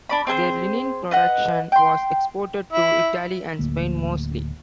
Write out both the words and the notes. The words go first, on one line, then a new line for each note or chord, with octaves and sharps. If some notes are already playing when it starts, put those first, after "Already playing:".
Their linen production was exported to Italy and Spain mostly.
D4 D5 B5
C4 G#4 A4 C5
B4 D#5 F#5
G5 C6
E4
D1 D2 A#3